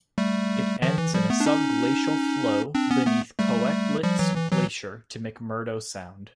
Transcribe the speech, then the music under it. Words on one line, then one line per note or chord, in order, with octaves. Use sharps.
It ends in a sub-glacial flow beneath Koettlitz Glacier to McMurdo Sound.
G3 A3
D#3 F3
E3
F3 G3
A3 B3
D4
C#4 D#4
C4 D4
B3 C#4
A3 B3
G3 A3
F3 G3
E3 F#3
E3
E3 F#3